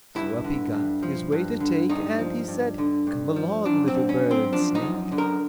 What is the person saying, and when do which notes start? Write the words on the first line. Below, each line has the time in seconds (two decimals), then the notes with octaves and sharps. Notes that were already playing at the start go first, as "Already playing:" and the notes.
So up he got, his way to take, And he said, "Come along, little bird and snake."
0.15 G2 E4
0.44 D3
0.73 G2
1.03 F3
1.32 G2
1.60 D3
1.90 G2 D#4
2.19 F3
2.48 G2
2.78 D3
3.07 G2
3.36 F3
3.65 F#2 D4
3.88 C4
3.94 D3
4.09 C#4
4.23 F#2
4.31 C4
4.52 F3 D4
4.75 D#4
4.82 F#2
5.12 D3
5.18 A#4